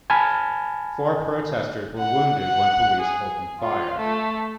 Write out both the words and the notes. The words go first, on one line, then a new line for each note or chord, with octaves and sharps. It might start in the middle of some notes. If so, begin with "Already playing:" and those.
Four protesters were wounded when police opened fire.
G#5 A5 B5 F6
F#5
F#5
G#4
F4
A3